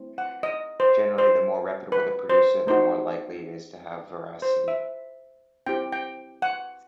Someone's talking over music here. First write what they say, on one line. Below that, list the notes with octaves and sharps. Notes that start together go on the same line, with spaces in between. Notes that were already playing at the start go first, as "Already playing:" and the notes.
Generally, the more reputable the producer, the more likely it is to have veracity.
Already playing: A3 C4 E4
F#5
D#5
C5
C5
B4
C5
A3 D#4 F#4 C5
C5
E5
C4 E4 G4 G5
G5
F#5